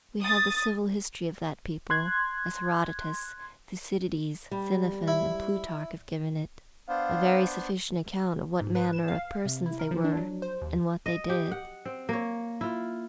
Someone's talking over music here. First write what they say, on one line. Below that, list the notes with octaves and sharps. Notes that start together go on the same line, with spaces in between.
We have the civil history of that people, as Herodotus, Thucydides, Xenophon, and Plutarch have given it; a very sufficient account of what manner of persons they were and what they did.
D#6 A6
C6 F#6 G#6
G3
E4
B3 D4 C5 F5
G#2
B4
E7
F5
C3
E4
A#4
F3
D4
F#3
C5
D#2
D#5
G4
F#5
C4
A#3 C#5
E4 F4